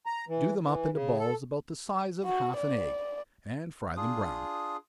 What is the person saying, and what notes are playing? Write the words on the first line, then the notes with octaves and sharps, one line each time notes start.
Do them up into balls about the size of half an egg, and fry them brown.
A#5
E3
E3
C#3
A4
F#4
D5
D4 F4 G#4 D#6